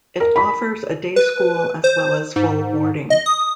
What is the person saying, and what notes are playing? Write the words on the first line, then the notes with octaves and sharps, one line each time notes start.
It offers a day school as well as full boarding.
A#4
B5
B4
C5
G#2
D#5
D#6